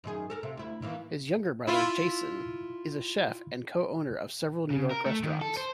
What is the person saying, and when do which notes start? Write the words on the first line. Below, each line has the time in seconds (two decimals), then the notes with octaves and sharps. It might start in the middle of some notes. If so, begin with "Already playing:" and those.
His younger brother, Jason, is a chef and co-owner of several New York restaurants.
0.04 F#2 D#3 G#4
0.30 A4 A#4
0.43 C3
0.57 D2 E4
0.82 D#3 E3 A#3
1.67 E4 F4
4.70 C#3
4.91 A#4
5.06 A3
5.23 D#3
5.41 A4
5.57 C5